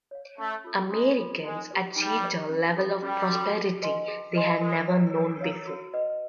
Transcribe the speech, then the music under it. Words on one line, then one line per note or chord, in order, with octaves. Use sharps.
Americans achieved a level of prosperity they had never known before.
C#5 F5
A3 C#4
F4 A4
G#3 C#4
F4 A4
G#3 D#4
G4 B4 D5
G3 D#4
G4 B4 D5
C#4
F#4 A4
G3 C#4
F#4 A4
G#4
B4 D#5 G#5 C6
G#4
B4 D#5 G#5 C6
G#3 A#4
C#5 F5 A#5
A#4
C#5 F5 A#5
F#4
B4 D#5 F#5